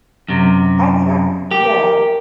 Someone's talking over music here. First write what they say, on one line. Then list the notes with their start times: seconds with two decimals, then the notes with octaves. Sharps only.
I mean, I yeah.
0.28 F#2 C3
1.51 G4 A#4